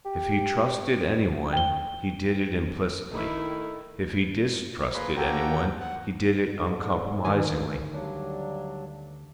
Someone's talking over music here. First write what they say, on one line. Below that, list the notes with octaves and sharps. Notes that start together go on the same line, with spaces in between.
If he trusted anyone, he did it implicitly; if he distrusted anyone, he did it uncompromisingly.
G4
G5 G7
D#3 A3 E4
A#3 G#4 A#4 B4 B5 C6
A#3 F#4 G4 A4 G5 A#5
F#5
G#2 D3
D2 D#3 G#5
G2 F#3 D4